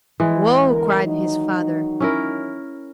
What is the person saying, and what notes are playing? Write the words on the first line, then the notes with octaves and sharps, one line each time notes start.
"Whoa!" cried his father.
E3 G#3
E2 D3 A#4
D#3 F#3 D#4
C#4 E4 A#4